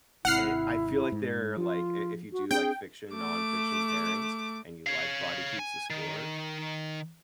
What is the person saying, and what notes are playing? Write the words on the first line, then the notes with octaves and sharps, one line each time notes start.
Eh, I feel like they're like i if you do like fiction, nonfiction pairings, and you like Body Keeps the Score,
G#1 C3 E4 F#5 F6 C7
G#2
F3 F4
F#4
C4 D4 G#4 G5
A3 D6
C#5 F5
G#5
D#3